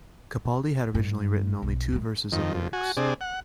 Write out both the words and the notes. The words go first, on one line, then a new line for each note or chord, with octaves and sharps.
Capaldi had originally written only two verses of lyrics.
G2
B1
G#2 D#3
F2 D#3
F2
F#4 G#5
C3 D4 G#4
F#5